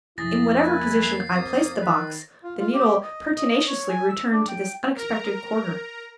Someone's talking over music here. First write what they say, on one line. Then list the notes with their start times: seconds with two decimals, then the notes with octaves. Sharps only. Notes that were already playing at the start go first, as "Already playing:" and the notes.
In whatever position I placed the box the needle pertinaciously returned to this unexpected quarter.
0.18 F2 C3 E4 G#4 A6 A#6
0.61 A#3 E4 B4 G#5
1.02 C7
1.34 A#3 C4 D#6
1.81 D#3 B4
2.43 F4
2.60 F4
2.73 G4
3.03 D#5
3.36 D#5
3.50 D#5
3.66 C#5
3.89 G#5
4.09 E6
4.31 D4
4.48 G5
4.96 A#4 A#5